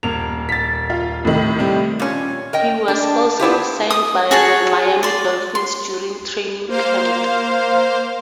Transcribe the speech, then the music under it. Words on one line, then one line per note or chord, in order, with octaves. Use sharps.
He was also signed by the Miami Dolphins during training camp.
D#1 A#3 F7
A6 B6
F4
A2 C3 D#3
G3 C4
A#2 C#4
A#4 D#5 G5
D4
D4 E4 F4 G4
D#6
F#4 G#4 C#5 A5
D5 C6
C6
A#3 C5 F5